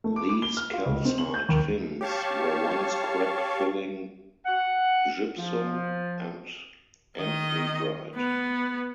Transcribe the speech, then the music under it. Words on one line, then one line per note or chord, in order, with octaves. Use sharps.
These calcite fins were once crack filling gypsum and anhydrite.
A3
D6
D6
G7
F6
F4
C#2
C4
F#7
G6
D#2
G4 C#5 F5 A5 C#6
F#5
F3
D#3 D#5
B3